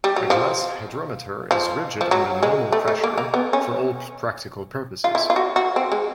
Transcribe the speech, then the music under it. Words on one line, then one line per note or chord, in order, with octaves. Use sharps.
A glass hydrometer is rigid under normal pressure, for all practical purposes.
G3
F#3
F3
F3
F3
F#3
G#3
A3
A3
A#3
A#3
B3
C#4
F4
E4
F4
F#4
F#4
C4
G#3